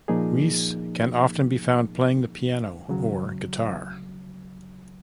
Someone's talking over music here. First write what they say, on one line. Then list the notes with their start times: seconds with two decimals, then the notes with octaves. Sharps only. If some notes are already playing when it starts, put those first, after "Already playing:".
Wees can often be found playing the piano or guitar.
0.08 A#2 F3 A#3 D#4 G#4
2.88 D#2 C#3 F#3